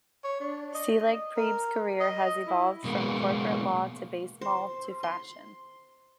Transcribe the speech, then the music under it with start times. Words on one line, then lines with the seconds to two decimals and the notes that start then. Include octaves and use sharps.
Selig-Prieb's career has evolved from corporate law to baseball to fashion.
0.24 C#5
0.41 D4
0.75 D#5
1.37 A#4
2.01 D#5
2.47 E4
2.84 B2 G#3 A#3 B3
4.41 C5
5.03 C6